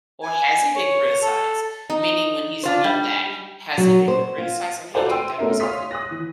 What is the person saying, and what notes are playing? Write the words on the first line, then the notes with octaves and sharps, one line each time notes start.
Or has he been criticized? Meaning when he's done that, h has he been criticized like, "Hey dude, that wasn't cool."
G#5
C#5
A4
D#4
D4 F4 C5
G3
F#3
C5
F4
F4 F#4 A4 B4 C5 D5
G5 C6 E6 C7 D7 D#7
A3 B3 C#4 A#4 E5
C#5 F5 C6 D#6 B6
D#6 F#6 A#6
E3